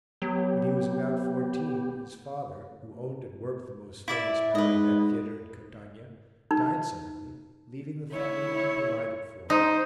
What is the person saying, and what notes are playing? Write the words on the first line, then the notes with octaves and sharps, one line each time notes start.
When he was about fourteen his father, who owned and worked the most famous marionette theatre in Catania, died suddenly, leaving the family unprovided for.
F#3 B3 G4
E4 D5 E5
G#2 B4 D#5
D#4
E4 C#5
D#4 C5